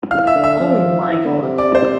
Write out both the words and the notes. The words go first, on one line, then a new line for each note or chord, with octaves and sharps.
Oh, my God!
E3 F5 F6
E5 E6
D3
E5 E6
F3
F3
E3
D3
C3
D5 D6
C5 C6